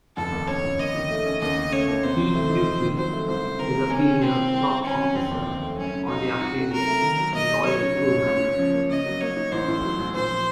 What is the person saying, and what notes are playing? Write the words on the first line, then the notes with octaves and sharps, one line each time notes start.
Kei Yuki, is a female top officer on the Arcadia and loyal crew member.
F1 A4
D#2
C#3 C#5
F1
D#2 D#5
D#3
A3
C#4
D#2 D#5
C#3
A3 C#5
D#2
C3 C5
F#3
A3
D#4
F2
D#3
F#3 C5
A3
C2 C5
C3
D#3 A#4
A#3
C3 C#4
D#3
A#3 C4
F4
C2
C3
D#3 C#4
F#3
F1 C4
D#2
D#3
A3
F#2 C#4
C#3
F#3 D#4
C4
C#2 F#4
C3
F#3 A#4
A3
D#3
F#3
A#3 D#5
D#4
F#2 C#5
C#3
F#3
F#2
C#2
C#3
F3
A#3
C#3 D#5
F#3
A#3 C#5
D#4
A1 C5
A2
F#3
A1
A#2 C5
F3